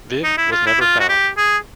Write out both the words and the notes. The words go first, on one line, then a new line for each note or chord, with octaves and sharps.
Viv was never found.
D#4
E4
F4
E4
F4
F#4
G4
G#4